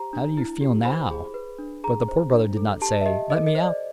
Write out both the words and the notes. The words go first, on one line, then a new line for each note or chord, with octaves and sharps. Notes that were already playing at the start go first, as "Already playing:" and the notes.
How do you feel now?" But the Poor Brother did not say, "Let me out!
Already playing: G4 C5 A#5
D4
E4
G4
C5 B5
G#4
B4
D4
G#4 A#5
C5
D4
A4
G4 A5
E5
G4 D#5
A4 D#5
D#5
C5
D5